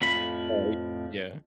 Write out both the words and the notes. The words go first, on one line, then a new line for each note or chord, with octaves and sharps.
Right, yeah.
F2 A2 F3 B5